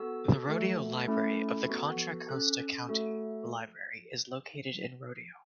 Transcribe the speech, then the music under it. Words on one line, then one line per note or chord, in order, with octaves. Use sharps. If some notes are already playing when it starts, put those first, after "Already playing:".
The Rodeo Library of the Contra Costa County Library is located in Rodeo.
Already playing: B3 F#4 A4 E6
A3 F#4 A4
A3 C#4 E4 A4
B3 F#4 A4
C#4 A4 F#6
A3 F#4 A4